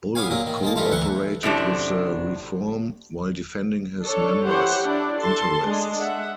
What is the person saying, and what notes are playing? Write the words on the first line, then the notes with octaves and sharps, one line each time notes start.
Bull co-operated with the reform, while defending his members' interests.
B3 C#5 F5 G#5
A#2 F#3 A#4
D#3
G#3 A#3 A5
G2 E3 A3 F4 A#5
D2 E3 F#5 C#6
F#2 A2 C3 D4
D4 A4 C#5
E3 G4 C5 C#5 F#5
D4 E4 D5
A4 A5 C6
G#3 D4 G#4
E5 F#5